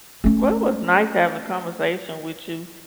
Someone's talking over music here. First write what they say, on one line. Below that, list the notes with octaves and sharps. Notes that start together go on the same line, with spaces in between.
Well, it was nice having a conversation with you.
A3 C#4